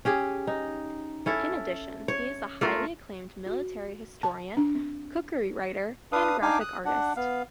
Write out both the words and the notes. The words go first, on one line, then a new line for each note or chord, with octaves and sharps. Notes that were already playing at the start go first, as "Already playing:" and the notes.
In addition he is a highly acclaimed military historian, cookery writer, and graphic artist.
C#4 G4 G#4
D#4
C#4 E4 A4
C#5
A3 F4 A#4
F#4
A5
D4
C4
D4 B4 F5 D#6
D4 D#4 F5 G5 G#5 D6
D#6 F#6
D4 F#5
B3 F5